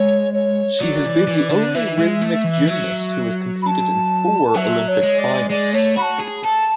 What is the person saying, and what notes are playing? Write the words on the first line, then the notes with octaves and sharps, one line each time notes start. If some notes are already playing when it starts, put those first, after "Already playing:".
She has been the only rhythmic gymnast who has competed in four Olympic Finals.
Already playing: G#3 C#5
C#5
F#3 D5
E3
E3
D3
E3 E5
G#3
A3
E3
F#3
B5
A5
F#3 E5
C#5
G#3
D5
G#3 D5
A3 C#5
F#4 A5 B5
G#4
A4 A5